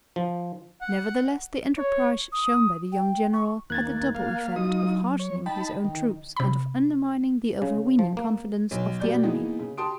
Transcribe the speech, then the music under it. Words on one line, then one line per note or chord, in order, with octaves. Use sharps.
Nevertheless the enterprise shown by the young general had the double effect of heartening his own troops and of undermining the overweening confidence of the enemy.
F3
F#5
C#5
D#6
G5
C#6
D#2 A#3 F#6 G#6 A6
A#3 F5
F#3 D#4 F4 D#6
C#5
D#4 G5 A5 B5
D#3
C3 B5
C#3
F3
A#3
B1
B2 G3 A#3 D5 G6
E3 G#3 A#3 B3 D#4
C#3
G4 A5 C6 D#6 D7